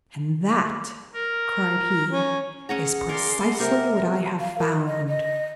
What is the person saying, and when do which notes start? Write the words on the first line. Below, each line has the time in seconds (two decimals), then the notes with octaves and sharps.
"And that," cried he, "is precisely what I have found!"
1.13 A#4
2.10 C#4
2.69 C#4 G#4 C#5 F#5 A#5
3.09 A#4 D5 C6
3.59 C3 G4 A#4 C#6
4.40 F5
4.59 A#4
4.87 D#5
5.07 D#5